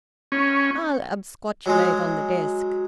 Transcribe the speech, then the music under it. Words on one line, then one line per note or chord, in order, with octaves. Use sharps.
I'll absquatulate on the desk.
C#4
F#3 G#3